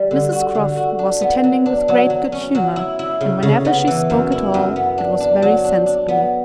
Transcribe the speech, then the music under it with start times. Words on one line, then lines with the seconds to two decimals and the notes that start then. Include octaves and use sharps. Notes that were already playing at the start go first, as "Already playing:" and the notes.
Mrs Croft was attending with great good-humour, and whenever she spoke at all, it was very sensibly.
Already playing: G3
0.11 D3
0.33 F#4
0.55 D3
0.77 F#4
0.99 D4
1.21 B3
1.44 F#3
1.66 D4
1.88 F#3
2.10 F#3
2.32 C#4
2.55 F#3
2.76 E4
2.99 E4
3.21 C#3
3.43 C#3
3.65 B3
3.87 E3
4.10 F#2
4.32 E4
4.54 F#2
4.76 B3
4.98 D4
5.20 D4
5.42 F#3
5.64 D4
5.86 D4
6.08 B3